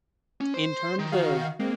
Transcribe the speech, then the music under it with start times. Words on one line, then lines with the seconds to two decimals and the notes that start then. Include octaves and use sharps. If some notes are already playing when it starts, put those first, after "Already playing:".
in terms of
0.41 C#4
0.54 C5
0.99 D#3
1.12 F#4 F5
1.59 G#3 A#3 C4